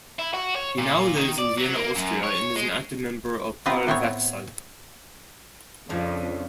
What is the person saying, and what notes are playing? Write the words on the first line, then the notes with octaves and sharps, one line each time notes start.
He now lives in Vienna, Austria and is an active member of Polwechsel.
E4
F#4
C#5
A#2
D#3
D5
F#3
A#3
F#2
C#5
G#3
B3 C4 F4 A#4 B4
A2 B3 C4 C#5
F2 C#3 F3 D4